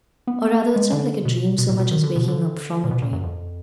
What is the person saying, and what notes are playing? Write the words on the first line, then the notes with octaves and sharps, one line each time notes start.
Or rather it's not like a dream so much as waking up from a dream.
B3
G#3
D3
B2
B2
A#2
B2
D#3
D3
B2
D3
A#2
B2
A#2
F#2
F2